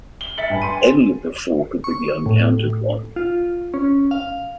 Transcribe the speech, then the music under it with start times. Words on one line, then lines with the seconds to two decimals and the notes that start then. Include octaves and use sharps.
Any of the four could be the uncounted one.
0.21 G7
0.37 E5 A6 B6 C#7 F#7
0.50 G2 G5 G#5 B5
0.62 G#5 C6 D#7
1.84 C#6
2.26 A2
3.16 F4
3.74 C#4
4.11 F5